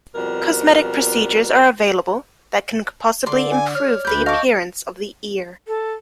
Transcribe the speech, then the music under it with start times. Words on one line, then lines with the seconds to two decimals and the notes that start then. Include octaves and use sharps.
Cosmetic procedures are available that can possibly improve the appearance of the ear.
0.15 F2 B2 G3 A#4
3.26 D3 D5 C6
3.52 G#5
3.75 C#5 F6
4.05 D2 B4 D5 G6
4.26 D#5 F5 A5 C#6 D6
5.68 A4